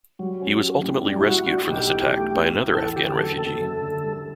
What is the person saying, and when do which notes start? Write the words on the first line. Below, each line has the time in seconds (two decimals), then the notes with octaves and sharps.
He was ultimately rescued from this attack by another Afghan refugee.
0.19 F#3 G3
0.41 C#4
0.63 G4
0.83 A2
1.05 A2 G3
1.21 E4
1.25 G3 F#4
1.47 D4 F#4
1.68 B1 G4
1.90 E3
2.11 A3
2.33 A2
2.54 A2
2.75 E2 A4
2.96 D3 G4
3.17 F#3 A4
3.39 F#1 A4
3.59 F#2
3.81 D3
4.02 G3